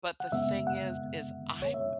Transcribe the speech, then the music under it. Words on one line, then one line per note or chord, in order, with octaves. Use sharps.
but the thing is, is I'm
F#5
F#2 C#3 G#3 B3 E5
F#5
C#5
E5